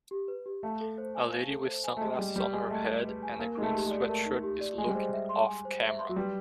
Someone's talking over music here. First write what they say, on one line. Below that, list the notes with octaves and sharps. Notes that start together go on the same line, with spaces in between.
A lady with sunglasses on her head and a green sweatshirt is looking offcamera.
G4
B4
G4
A3 F5
A4
C5
G#5
F5
A4
C5
G#5
A3
G#3 D#5
G3 G#4
G3 B4
G#3 G#5
A3 D#5
G#4
B4
G#5
A#3 A#4
G#3 D#4
A3
G4
G#3
D5
A3 A#4
D#4
G4
D5
G#3 G#5
G3
G#3 C5
E5
C6
G#5
C5
E5
C6
F#3
G3 B4